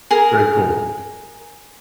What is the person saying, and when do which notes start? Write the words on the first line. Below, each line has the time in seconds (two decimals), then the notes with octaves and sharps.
very cool.
0.11 G#4 A#4